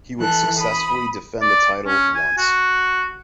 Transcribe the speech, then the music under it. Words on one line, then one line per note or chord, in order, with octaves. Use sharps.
He would successfully defend the title once.
E3 A4 F#6
B5 D#6
D5
C#4
G#5
F#4